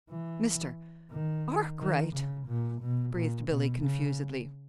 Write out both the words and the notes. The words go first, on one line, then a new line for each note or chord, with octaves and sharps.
"Mr.--Arkwright!" breathed Billy, confusedly.
E3
D#3
D#3
C#3
A#2
B2
A#2
B2
C#3